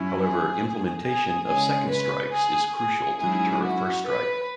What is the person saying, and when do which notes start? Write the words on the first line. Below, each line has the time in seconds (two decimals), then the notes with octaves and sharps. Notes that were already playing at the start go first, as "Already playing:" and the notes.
However, implementation of second strikes is crucial to deter a first strike.
Already playing: F#2 F#3 C#4 E4
0.16 G#4
1.02 G#4
1.45 C#3 G#3 C#4 G#4
1.89 B4
2.32 G#4
2.75 G#4
3.19 G#2 F#3 C#4 E4 G#4
3.63 F#4
4.06 B4